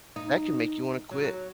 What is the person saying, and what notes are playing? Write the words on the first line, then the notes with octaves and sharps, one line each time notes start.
that can make you wanna quit.
D#4
F#3